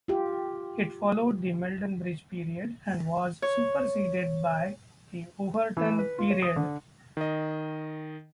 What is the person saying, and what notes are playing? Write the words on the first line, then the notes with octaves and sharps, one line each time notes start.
It followed the Meldon Bridge Period and was superseded by the Overton Period.
F4 G4
C#5
E3
B4
F4
C#5
D#6
D3
D#3 D#5